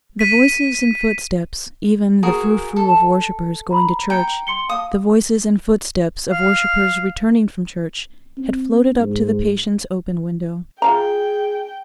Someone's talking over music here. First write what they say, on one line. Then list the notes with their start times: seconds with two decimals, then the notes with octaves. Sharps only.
The voices and footsteps, even the frou-frou of worshippers going to church, the voices and footsteps of worshippers returning from church, had floated up to the patient's open window.
0.19 B6 D#7
2.23 F#4 G#4 A#4
2.76 A4
3.71 A#5 B5
4.10 G5 A#5 C#7
4.47 C6 C#7 G7
4.69 F5 D#6
6.31 F5
8.38 C4
9.00 G#2
10.82 F4 G#4 F5 G5 A#5